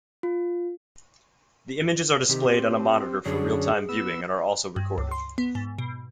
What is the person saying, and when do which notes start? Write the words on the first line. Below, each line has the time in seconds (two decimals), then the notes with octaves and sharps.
The images are displayed on a monitor for real-time viewing and are also recorded.
0.23 F4
2.29 C3 D#3 G4
2.45 C4
3.25 F#2 D3 C#4 G#4
3.89 B3 E6
4.76 G2
4.98 C#2
5.11 C6
5.38 B3
5.55 G#2
5.78 B2